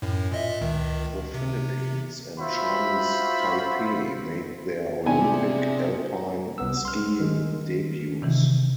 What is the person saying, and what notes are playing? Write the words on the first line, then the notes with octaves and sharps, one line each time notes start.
The Philippines and Chinese Taipei made their Olympic alpine skiing debuts.
F#2 A2
A#2 D#5 E5
C#2 D#3
C3
F4 F#4 C5 E5 B5
C3 B3 D4 F4 G#4 D5 G#5
C2 B3 E6
C6 F6
D#3 G#3
C3 D#3 E3